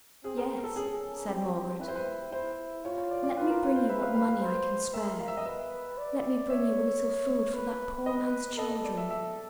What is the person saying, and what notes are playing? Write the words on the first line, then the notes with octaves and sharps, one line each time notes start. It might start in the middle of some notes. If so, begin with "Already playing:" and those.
'Yes!' said Margaret. 'Let me bring you what money I can spare,--let me bring you a little food for that poor man's children.
C4 G#4
A#4
A#4
A4
C#4 G#4
C4 G4
E4 B4
C5
B4
E4 C5
F4 C#5
C#5
D5
D5
F4 B4
A#4
B4
C5
B4 E5
F5
F5
F5
C5 F5
A#4 E5
F5
E5
D#5
B4 E5
D5
C#5 E5
B4
B4 D#5
A4 D#5
D#5
D5
E5
E5